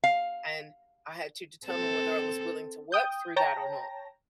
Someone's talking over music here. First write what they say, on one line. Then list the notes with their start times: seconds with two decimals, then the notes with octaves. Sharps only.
and I had to determine whether I was willing to work through that or not.
0.04 F5
1.66 C4 A4
2.92 G5 D#6 G6
3.36 C#5 G5 A5 A#5 A#6